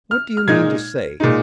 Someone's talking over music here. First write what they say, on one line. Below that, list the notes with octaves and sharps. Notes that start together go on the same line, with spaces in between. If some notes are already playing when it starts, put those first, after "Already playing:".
"What do you mean to say?"
F6
F6
A#2 G#3 D#4 G#6
A#2 G#3 D#4